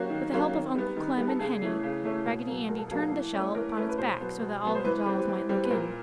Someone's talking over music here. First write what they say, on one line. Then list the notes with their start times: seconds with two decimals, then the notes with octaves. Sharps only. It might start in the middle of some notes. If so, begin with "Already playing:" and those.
With the help of Uncle Clem and Henny, Raggedy Andy turned the shell upon its back, so that all the dolls might look in.
Already playing: F#3 A#3 C#4 F#4 G4
0.10 D#3
0.32 F#3 A#3 C#4
0.53 D#3
0.75 G3 B3
0.97 D#3
1.18 G3 B3
1.28 A4
1.39 C#3 G#4
1.62 E3 A3 C#4
1.83 C#3
2.04 E3 A3 C#4
2.26 B2
2.47 F#3 A#3
2.69 B2 A#4
2.79 A4
2.88 F#3 A#3 G#4
2.99 A4
3.12 E3
3.34 A3 C#4
3.55 E3 A#4
3.77 A3 C#4 B4
3.89 B4
3.98 B2 C5
4.20 F#3 B3
4.41 B2
4.63 F#3 B3
4.75 C5
4.84 E3 B4
5.06 G3 C4
5.28 E3
5.49 G3 C4
5.65 B4
5.71 A#2 A#4